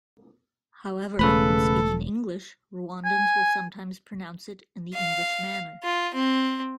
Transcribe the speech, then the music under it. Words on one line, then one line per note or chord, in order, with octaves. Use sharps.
However, when speaking English, Rwandans will sometimes pronounce it in the English manner.
E1 C#3 A3 A4 B4 B5
G#5
F5
F4
C4